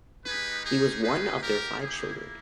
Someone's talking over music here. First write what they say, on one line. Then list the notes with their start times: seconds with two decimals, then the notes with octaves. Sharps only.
He was one of their five children.
0.25 G#3 D#4 G4 G#4 B4
0.64 G#4
1.03 G#4 B4
1.42 G4 A#4
1.80 A#3 E4 G4 G#4